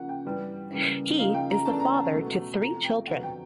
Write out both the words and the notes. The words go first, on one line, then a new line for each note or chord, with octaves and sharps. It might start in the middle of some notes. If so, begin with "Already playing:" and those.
He is the father to three children.
Already playing: C#3 F3 A#3 C#4 F#5
G5
G2 E3 G3 B3
C#3 E3 G3 A#3
C#3 F3 A#3 D#4 F5
G5
A#5
E2 C#3 E3 A3 D4 A5
A#5
A5
B2 F#3 A3
C3 F3 A3 A#5
G5
F2 D3 F#3 B3 F#5
G5